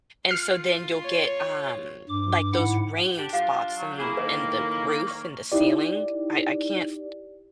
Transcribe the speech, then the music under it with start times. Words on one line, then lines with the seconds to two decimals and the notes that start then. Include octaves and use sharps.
and so then you'll get, um, like, those rain spots in in the roof in the ceiling. I I can't th
0.29 F4 F6 C7
1.03 C#5
2.09 G2 D6
2.54 G#2 E4 F#5
3.18 D4 G4
3.33 D4 F4 F5 F#5 D6
3.78 F#3
3.98 A#3 E4 G#4 G5
4.17 A2 D#3 B4 D5 D#5
5.07 D5 C#6
5.52 D#4 E4 G4 D5